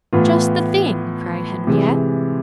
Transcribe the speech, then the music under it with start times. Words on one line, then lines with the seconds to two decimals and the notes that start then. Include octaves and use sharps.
"Just the thing!" cried Henriette.
0.13 A2 E3 B3 F4
1.67 C3 E3 G#3